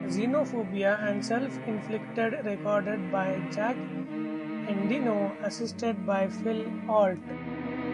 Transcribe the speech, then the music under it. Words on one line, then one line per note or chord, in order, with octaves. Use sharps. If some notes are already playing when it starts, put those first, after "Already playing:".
"Xenophobia" and "Self Inflicted" recorded by Jack Endino assisted by Phil Ault.
Already playing: C3 E3 G3 C4
C3 D#3 A3
D#3 F#3 C4
D#3 A3 D#4
G2 F#3 A3 D#4
E2 C3 E3 B3 D#4